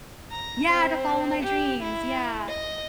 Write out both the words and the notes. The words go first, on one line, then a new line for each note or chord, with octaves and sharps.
Yeah, to follow my dreams, yeah.
A#5
C4
G4
E4
D#5